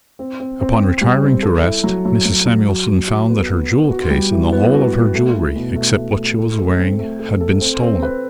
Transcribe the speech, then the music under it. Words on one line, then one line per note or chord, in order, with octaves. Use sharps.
Upon retiring to rest Mrs. Samuelson found that her jewel case and the whole of her jewelry, except what she was wearing, had been stolen.
C4
C4
C4
C4
G3
C4
A4
E4
F#3
F#3
F#3
F#3
F#4
F#4
F#4
B3
B3
B3
F#4
G3
E3
B3
F#4
F#4
A3
E4
B2
A3
A3
A3
A4
A4
C4
A3
A4
A4
C4
C4
B4